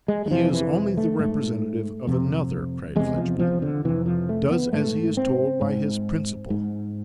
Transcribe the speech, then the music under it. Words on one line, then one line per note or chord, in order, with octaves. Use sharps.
'He is only the representative of another!' cried Fledgeby. 'Does as he is told by his principal!
G#3
G#3
F2 C3 F3
E3
A3
G#2 A3
F2 C3
E2 C3 G#3
F3
F3
D3
F2 C3 E3
F3
A3
B3
G#2 A3
C4
G#2
G#2